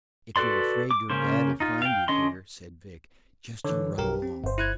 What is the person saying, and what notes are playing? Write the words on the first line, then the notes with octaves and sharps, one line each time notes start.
"If you're afraid your Dad'll find you here," said Vic, "just you run along."
F#4 A4 B4 D5 C6
D6
C#3 A#3 C#4 C5
D#4 F4
F5 G5
D3 C#4 D#5 C6
D3 E3 C#5
B1 G4 A#4
C4
G1 C5
E4 F#6 G#6